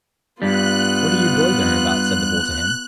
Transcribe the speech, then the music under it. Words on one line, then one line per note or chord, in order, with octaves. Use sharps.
"What are you doitherin' about?" said the bull to him.
G2 G3 B3 F4 F#6